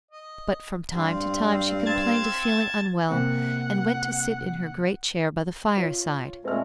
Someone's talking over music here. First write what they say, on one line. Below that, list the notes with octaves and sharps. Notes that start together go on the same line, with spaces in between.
But from time to time she complained of feeling unwell, and went to sit in her great chair by the fireside.
D#5
G2 C4 F4 C5
A5 G#6 A6
C3 A#3 C4 F#5
F4 C#5
A#2 G#3 A3 C4 F6